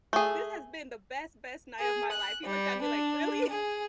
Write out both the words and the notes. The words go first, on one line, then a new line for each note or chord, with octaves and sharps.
this has been the best, best night of my life!" he looked at me like, "Really?"
A3 G#4
G#4
F#6
G3
D4
G#4